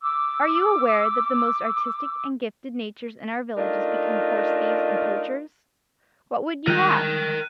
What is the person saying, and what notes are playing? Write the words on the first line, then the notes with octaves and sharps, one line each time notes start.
Are you aware that the most artistic and gifted natures in our villages become horse-thieves and poachers? What would you have?
D6 E6
A3 D4 D#4 F4 A#4
D#3 G3 G#3 A#4 G5 F#6 D#7